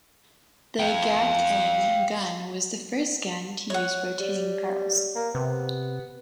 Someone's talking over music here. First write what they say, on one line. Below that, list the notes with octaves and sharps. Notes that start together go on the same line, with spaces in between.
The Gatling gun was the first gun to use rotating barrels.
F5 G5
C#5 F#5
G3
A#3
C3 B3